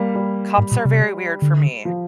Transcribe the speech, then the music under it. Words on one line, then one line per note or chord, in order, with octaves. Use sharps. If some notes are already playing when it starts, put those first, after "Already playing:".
Cups are very weird for me
Already playing: G3 A#3
G3
G#2
A#2
C3
D3
F3